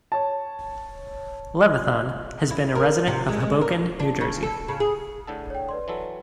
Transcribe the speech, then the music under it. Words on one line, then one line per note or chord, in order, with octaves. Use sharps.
Levithan has been a resident of Hoboken, New Jersey.
C#5 A5
E4
A#4
C3
G#3
G#3
A#4
D4
C#3
A4
C#3
G#4
A2 D3 A4
C#5 G5
B4 D5 C6
E3 F#3 A4